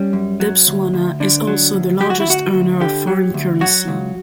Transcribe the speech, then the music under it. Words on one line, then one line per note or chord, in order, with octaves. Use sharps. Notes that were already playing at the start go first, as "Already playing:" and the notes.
Debswana is also the largest earner of foreign currency.
Already playing: G3 C#4
F#2
F#3
D2
D2
D3 D4
F#3
D2
F#3 G4
F#4
E4
D2 F#4
D2
D3 G4
F#3
D2
F#3 F#4
C#2